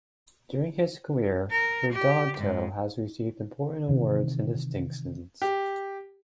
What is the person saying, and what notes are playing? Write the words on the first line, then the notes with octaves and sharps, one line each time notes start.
During his career Hurtado has received important awards and distinctions.
A#4
G4
G#2
C3 D#3 E3
G4